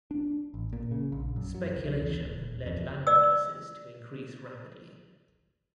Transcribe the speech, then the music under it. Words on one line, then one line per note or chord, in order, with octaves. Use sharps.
Speculation led land prices to increase rapidly.
D4
A1
A#2
C#3
A#1
F#2
F#3
C2
E2
D#1
F2
D5 E6